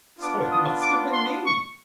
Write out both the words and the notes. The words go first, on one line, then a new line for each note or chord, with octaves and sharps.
So it must have been me!
B3 D4 F4 D6
D#6
D6
C6
C#6